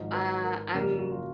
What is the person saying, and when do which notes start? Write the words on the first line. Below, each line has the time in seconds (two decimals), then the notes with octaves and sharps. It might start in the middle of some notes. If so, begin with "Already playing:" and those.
uh, I'm
Already playing: G#1 G#2 F3 D#4
0.13 B4
0.44 A#4
0.75 F#1 F2 C#3 A#4
0.99 F#4
1.12 F4